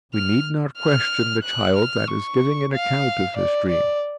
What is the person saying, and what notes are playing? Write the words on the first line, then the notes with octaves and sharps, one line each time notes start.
We need not question the child that is giving an account of his dream.
F6
F6
F#6
F6
C#6
F5
D5
D5